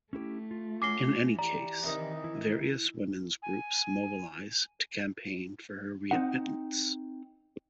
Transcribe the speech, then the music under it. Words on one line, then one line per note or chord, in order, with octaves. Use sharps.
In any case, various women's groups mobilised to campaign for her readmittance.
A3 C#4 E4 G4
F4
C#4 F#4 D6 C7 G7
E3 G4 D5 A#5
C3 D#3 D#4
E4
G#5
C4 D#4 F#5